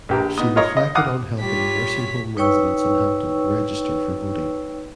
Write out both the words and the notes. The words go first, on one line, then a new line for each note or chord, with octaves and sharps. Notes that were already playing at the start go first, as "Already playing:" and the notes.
She reflected on helping nursing home residents in Hampton register for voting.
A#1 G4 A#4
B3 D#4 D#6
F4 A#4 C#5 D#5
D#5
F5 F#5 D6 D#6
G3 F4 C#5 B6
D#4 B4 C#5 G5 C#6 E6